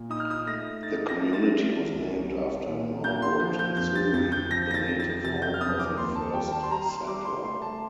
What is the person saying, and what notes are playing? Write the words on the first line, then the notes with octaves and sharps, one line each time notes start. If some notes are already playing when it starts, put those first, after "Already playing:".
The community was named after Norwood, Missouri, the native home of a first settler.
Already playing: A#2
D#4 D#6
F6
D#6
A3 A#6
D#4 A6
A#6
A3
A6
G3
C2
G3
A#2
A#3 G6
C6
F3 G6
G6
F2 G6
A6
F2 A6
G6
F3 A#6
A#6
A6
F2
A6
C3 A6
G6
F6
F2 D#6
D6
D#2 C6
A5
G3 G5
A5
C6
G3 A#5
C6
G3 D6
C6
A3 C6
A5